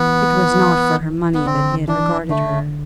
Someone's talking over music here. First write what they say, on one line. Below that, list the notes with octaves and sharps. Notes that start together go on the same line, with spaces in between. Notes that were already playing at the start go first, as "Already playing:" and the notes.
It was not for her money that he had regarded her.
Already playing: E3 B3
B3
D3 C4
E3 D4
D3 A3